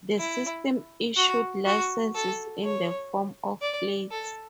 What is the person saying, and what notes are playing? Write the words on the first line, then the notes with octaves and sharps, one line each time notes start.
The system issued licenses in the forms of plates.
E4
F#4
F#4
A4
C#5
D5
A4